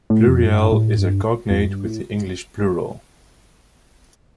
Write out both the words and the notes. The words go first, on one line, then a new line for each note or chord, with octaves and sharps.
Pluriel is a cognate with the English "plural".
A2
F2
G2
A2
G2
F2
G2
A2